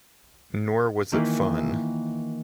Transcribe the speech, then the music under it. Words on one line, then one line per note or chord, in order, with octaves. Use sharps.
Nor was it fun.
D#3 E3 A#3 E4 F4